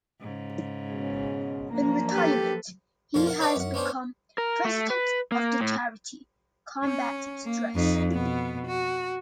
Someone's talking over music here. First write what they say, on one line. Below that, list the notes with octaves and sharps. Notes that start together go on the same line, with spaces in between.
In retirement he has become President of the charity "Combat Stress".
G#2 C#3
B2 G#3 C#4
F3 F#3 A#3 D4 A#5
G4 A4 B4
F2 A#2 F3 F4 F5 A5
A#4 F#5
C#4 D#4 B4 D5 D#5 F#5
F#2 F#5
B3 C#4 D4 C5
A#4
A3
B4
A#3
A2
C#4
A#3
F2 D#4
B2 B3
F#4